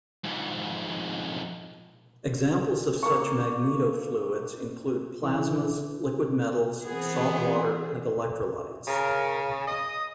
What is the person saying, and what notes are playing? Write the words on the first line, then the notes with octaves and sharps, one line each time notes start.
Examples of such magnetofluids include plasmas, liquid metals, salt water and electrolytes.
F2 G#2
A#3 C#6
E3
E3 B3 C4 G#4
C#3 A#4
D#5 D#6